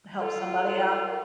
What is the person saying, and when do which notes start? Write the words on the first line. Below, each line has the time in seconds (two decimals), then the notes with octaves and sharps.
Help somebody out.
0.21 F4 A4
0.66 F4
1.03 A#4